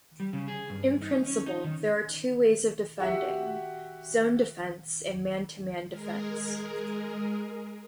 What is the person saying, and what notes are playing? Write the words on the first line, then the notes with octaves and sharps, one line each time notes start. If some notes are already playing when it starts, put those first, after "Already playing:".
In principle, there are two ways of defending, zone defence and man-to-man defense.
G3
C#3
G#4
G2
D#4
C#4
D#4
D#3
F#4 G4 E5 F#5
G#3 G#4 A#4